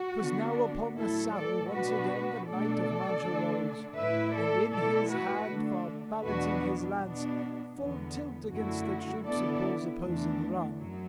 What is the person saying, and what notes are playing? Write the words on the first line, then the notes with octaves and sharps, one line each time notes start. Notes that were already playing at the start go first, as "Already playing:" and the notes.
'Twas now upon the saddle once again the knight of Mancha rose, and in his hand far balancing his lance, full tilt against the troops of bulls opposing run.
Already playing: F#4
D3 B3 D4
A2 F#3 A3 E4 A4
A4 D5
B2 B3 D4 F#4 B4
B2 A3 D4 A4 D5
D3 A3 D4
A2 A3 E4 B4 E5
A4 D5
B2 A3 E4 A4 D5
F#4 B4
D3 A3 D4
E2 B2 B3 D4 F#4 B4
B2 B3 D4
E2 D3 B3
F#2 D3 A3 E4 F#4
D3 B3 E4 A4 D5
E2 E3 A3 D4
F#2 F#3